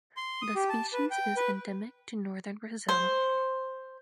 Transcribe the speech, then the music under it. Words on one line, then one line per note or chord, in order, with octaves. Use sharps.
The species is endemic to northern Brazil.
C6
D#6
G4
A5
B4
G5
B4
C5